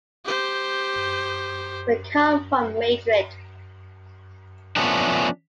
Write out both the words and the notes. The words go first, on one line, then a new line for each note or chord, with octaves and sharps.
We've come from Madrid.
G4 C5
F3 A3 B3 C#4 D4